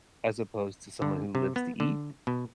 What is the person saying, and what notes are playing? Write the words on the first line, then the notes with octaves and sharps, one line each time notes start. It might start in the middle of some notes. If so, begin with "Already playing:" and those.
as opposed to someone who lives to eat,
D3
C3
B3
D3
B2